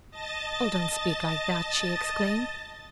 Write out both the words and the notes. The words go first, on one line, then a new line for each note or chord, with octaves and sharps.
"Oh, don't speak like that," she exclaimed.
D#5 A5 A6